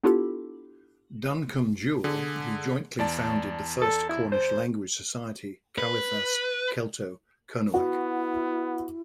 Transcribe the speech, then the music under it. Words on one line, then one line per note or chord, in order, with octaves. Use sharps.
Duncombe-Jewell he jointly founded the first Cornish language society, "Cowethas Kelto-Kernuak".
B3 D4 E4 F4 G4 A4
D3 G#4
E2 D5 A5
A4
E4
C5
B4
B3 E4 F#4